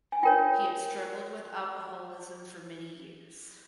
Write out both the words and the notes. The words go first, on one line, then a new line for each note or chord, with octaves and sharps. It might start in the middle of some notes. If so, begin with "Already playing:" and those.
He had struggled with alcoholism for many years.
G#5
F4 A#4 C#5 G5